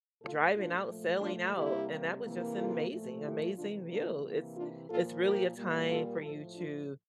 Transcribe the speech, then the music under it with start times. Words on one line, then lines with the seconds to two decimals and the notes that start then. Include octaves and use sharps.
driving out, sailing out, and that was just amazing amazing view. It's it's really a time for you to
0.22 A#2 A3 F4 A4
0.55 D4 F4
0.88 A#2 F3 A3
1.22 D4 F4
1.55 C3 G3 A#3 E4 G4
2.23 C3 E3 A#3
2.55 F4 A4
2.89 A#2 F3 A3
3.22 E4 G4
3.55 C3 E3 A3 D4 F4
3.89 A#3 D4
4.23 C3 E3 A#3
4.56 D4 F4
4.89 A#2 F3 A#3 F4 A4
5.23 G4 A#4
5.56 A#2 G3 A#3
5.90 F4 A4
6.23 A2 F3 A3 F4 A4
6.56 D4 F4